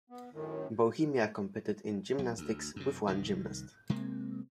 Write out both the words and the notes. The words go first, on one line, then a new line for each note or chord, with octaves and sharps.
Bohemia competed in gymnastics, with one gymnast.
B3
F#2 A2 D#3
B1
D2
F#2 C3
C2 D#3
C3 G#3 A#3 C4